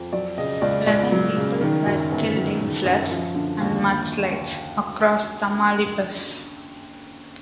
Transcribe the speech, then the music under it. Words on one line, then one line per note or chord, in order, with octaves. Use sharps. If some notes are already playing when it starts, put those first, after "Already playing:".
Eleven people were killed in floods and mudslides across Tamaulipas.
Already playing: F2
F#3 D5
C#3 D#5
C#2 D5
C#2 D5
F#3
C#3
D#3
F#2
G1
F#3
D#3
F#2
F3
D3
D#2